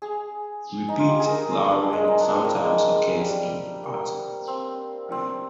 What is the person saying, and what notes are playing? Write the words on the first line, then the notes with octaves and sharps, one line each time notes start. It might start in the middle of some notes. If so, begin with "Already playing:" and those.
Repeat flowering sometimes occurs in autumn.
G#4
D#4
F4
G4
G#4
A#4
C5
D4
G#3
D#4
D4
C4
A#3
G#3
G3
A#3
C4
C4